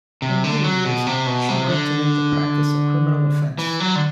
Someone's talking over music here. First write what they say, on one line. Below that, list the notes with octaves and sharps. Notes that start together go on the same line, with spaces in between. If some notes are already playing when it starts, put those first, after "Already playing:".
In later years, she worked to make the practice a criminal offense.
C3
D3
F#3
B2
C3
B2
C3
D3
E3
F#3
D3